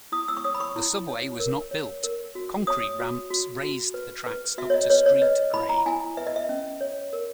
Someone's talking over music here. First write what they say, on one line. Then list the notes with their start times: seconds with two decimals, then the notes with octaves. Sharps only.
The subway was not built, concrete ramps raised the tracks up to street grade.
0.12 E4 D#6
0.28 E6
0.37 C#6
0.44 C#5 D#6
0.55 B5
0.60 C#6
0.76 E4
1.08 C#5
1.40 A#4
1.71 C#5
2.04 A#4
2.35 F#4
2.67 C#5 D#6
2.99 F#4
3.31 F#4
3.63 F#4
3.94 B4
4.26 B4
4.58 F#4 E5
4.70 C#5
4.74 D#5
4.90 B4 C#5
5.06 C#5
5.22 B4 D#5
5.54 E4 B5
5.69 A#5
5.86 E4 G#5
6.17 B4 E5
6.27 D#5
6.36 E5
6.49 C#4
6.81 C#5
7.13 A#4